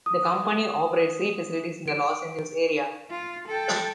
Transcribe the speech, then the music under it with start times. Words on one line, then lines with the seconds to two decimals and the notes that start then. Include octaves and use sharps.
The company operates three facilities in the Los Angeles area.
0.06 D#6
1.88 D7
3.10 F4
3.48 A4 G5